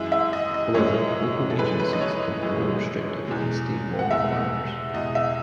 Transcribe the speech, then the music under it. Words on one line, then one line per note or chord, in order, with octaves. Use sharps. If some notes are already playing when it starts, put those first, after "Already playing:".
However, local agencies can be more restrictive than state law requires.
Already playing: F#2 E3 G#3 E5
E5
D#5
D#5
F#2 E3 G#3 C#5
A4
F#2 E3 G#3 B4
B4
D#5
C#5
F#2 E3 G#3
E2 B2 G#3
F#5
E2 B2 G#3 E5
E2 B2 G#3 D#5
E5